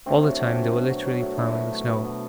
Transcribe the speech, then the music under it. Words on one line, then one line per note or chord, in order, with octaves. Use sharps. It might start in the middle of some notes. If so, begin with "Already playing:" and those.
All the time they were literally ploughing the snow.
A3 C4 D4
F#3
F#3
B2
B2
F#3
F#3
A3
F#3 D4 E4
B2
A3
B2
B2